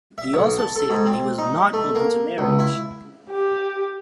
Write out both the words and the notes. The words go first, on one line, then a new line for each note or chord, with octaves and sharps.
He also stated that he was not open to marriage.
E5
B1
A5
A4
G#2
C4
D#4
A3
A#3
C#2
E4
G4